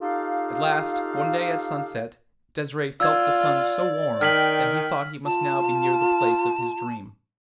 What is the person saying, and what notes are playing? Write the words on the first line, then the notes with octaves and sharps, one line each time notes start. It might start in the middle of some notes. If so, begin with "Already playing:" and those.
At last one day at sunset Desire felt the sun so warm, that he thought he must now be near the place of his dream.
D#4 F4 G4 A4 F5
F4 D5 E6 G#6
D#3 G5 F6 B6 F#7
F4 A5